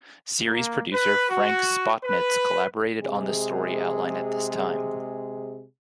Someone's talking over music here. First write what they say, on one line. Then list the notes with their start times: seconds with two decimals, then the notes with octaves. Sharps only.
Series producer Frank Spotnitz collaborated on the story outline at this time.
0.47 A#3
0.91 B4
1.28 F#4
2.02 B4
3.00 C3 G#3 G#4